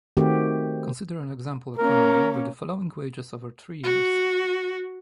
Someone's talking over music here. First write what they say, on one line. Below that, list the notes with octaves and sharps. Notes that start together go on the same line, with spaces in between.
Consider an example economy with the following wages over three years.
D#3 A3 C4 F#4 G4
A#3 C#4 A#4
F#4